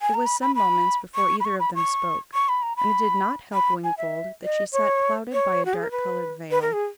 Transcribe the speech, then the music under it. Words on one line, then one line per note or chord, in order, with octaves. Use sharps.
It was some moments before either of them spoke, and it did not help Wingfold that she sat clouded by a dark-coloured veil.
G#5
A#5
B5
B5
B5
C#6
B5
C#6
B5
C#6
C#6
B5
A#5
B5
B5
G#5
E5
D#5
C#5
C#5
F#4
G#4
A#4
B4
B4
A#4
G#4